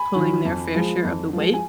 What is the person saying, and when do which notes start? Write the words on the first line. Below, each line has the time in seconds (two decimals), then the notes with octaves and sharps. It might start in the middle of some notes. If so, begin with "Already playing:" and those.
pulling their fair share of the weight
Already playing: G#5 B5
0.16 D#3 F#3
0.45 F2
0.75 F3 G#3
1.04 F2
1.33 F3 G#3
1.54 G#5